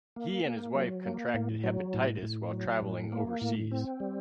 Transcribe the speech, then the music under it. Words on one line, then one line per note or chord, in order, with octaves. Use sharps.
He and his wife contracted hepatitis while traveling overseas.
A#3
A#3
F#3
A#3
A2
F#3
A2
A2
F#3
A2
A#3
A2
C4
G3